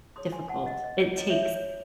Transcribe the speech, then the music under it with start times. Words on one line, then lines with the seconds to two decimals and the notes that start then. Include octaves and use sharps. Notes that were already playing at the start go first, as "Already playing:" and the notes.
difficult, it takes
0.16 D#4 G#4 C#5 C6 D#6
0.32 G#5 C6
0.49 F#5 A5
0.66 D#5 F#5
0.84 D#5
1.00 C#5
1.17 C#4 E4 A4 C#5 D#5
1.30 C#5 E5
1.43 C#5
1.56 C#5